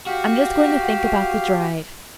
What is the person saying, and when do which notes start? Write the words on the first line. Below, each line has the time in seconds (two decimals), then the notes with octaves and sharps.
I'm just going to think about the drive.
0.06 F#4 G4 F5